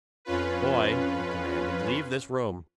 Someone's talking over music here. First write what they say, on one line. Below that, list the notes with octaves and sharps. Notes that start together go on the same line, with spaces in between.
"Boy," he commanded, "leave this room!"
F2 C#4 F4 B4